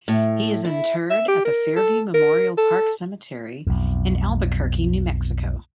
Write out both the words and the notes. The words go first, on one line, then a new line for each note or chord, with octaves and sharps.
He is interred at the Fairview Memorial Park Cemetery in Albuquerque, New Mexico.
A2
E4
E5
G4
A#4
A4
A#4
A4
B1 F2